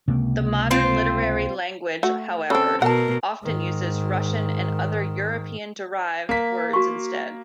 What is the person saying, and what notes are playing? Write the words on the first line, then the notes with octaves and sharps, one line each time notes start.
The modern literary language, however, often uses Russian and other European-derived words instead.
C#2 C3 A#3
C4 F4 C5
A3 F#4
C#3 C4 A4
B2 A#4 F#5 A5
G#2 D#3
A#3 B6
F#4 C#6